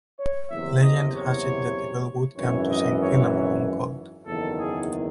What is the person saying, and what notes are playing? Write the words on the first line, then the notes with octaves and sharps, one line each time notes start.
Legend has it that the bell would come to Saint Fillan when called.
C#5
F#1 E2 C3 E5
D#5
C#5
G#1 F#2 E3 C#5
D#5
C#5
C#5
F#1 E2 D#3 A4
G#4